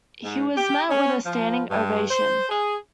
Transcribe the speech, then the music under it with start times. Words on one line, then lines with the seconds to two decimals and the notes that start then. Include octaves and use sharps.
He was met with a standing ovation.
0.25 G#2
0.56 G4
0.89 C#4
1.26 F3
1.70 G2
2.10 C5
2.50 G#4